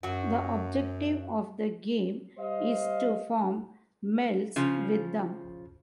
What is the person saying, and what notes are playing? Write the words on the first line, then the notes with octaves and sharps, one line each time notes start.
The objective of the game is to form melds with them.
F#2 F#3 F#4
G3 C5 D#5 F5
C#3 F3